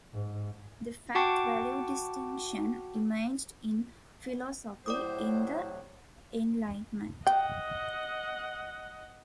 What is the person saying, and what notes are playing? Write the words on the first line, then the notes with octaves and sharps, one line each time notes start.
The fact-value distinction emerged in philosophy in the Enlightenment.
G#2
F#4 F#5 G5 A5 C#6 D6
A2 C3 F#3 E4 C5 D5 D6 D#6
D#5 F#5 G5